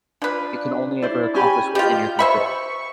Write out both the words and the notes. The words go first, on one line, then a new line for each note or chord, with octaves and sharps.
You can only ever accomplish what's in your control.
F3 D4 B4
E4 C5 D5
C#4 G4 G#5 B5
G3 F4 G4 D#5 G6
C5 E5 B5 C#6